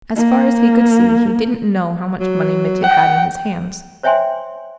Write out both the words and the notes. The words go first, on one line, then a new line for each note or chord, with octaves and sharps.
As far as he could see he "didn't know" how much money Mitya had in his hands.
A#3
F#3
F#5 G5
C5 C#5 E5 G5 G#5 C6